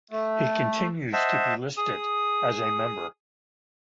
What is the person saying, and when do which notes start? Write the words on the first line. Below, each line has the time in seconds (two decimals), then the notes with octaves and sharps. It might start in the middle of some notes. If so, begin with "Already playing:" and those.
He continues to be listed as a member.
0.11 A3
1.13 C5 D#5 E5 F#5 A5
1.77 G#4 D#6